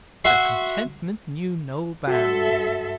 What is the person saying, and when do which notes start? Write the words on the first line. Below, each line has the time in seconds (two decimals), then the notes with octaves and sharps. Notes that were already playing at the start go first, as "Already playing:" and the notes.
Her contentment knew no bounds.
0.25 F#4 E5 C6
2.07 G2 F#4 A4 E5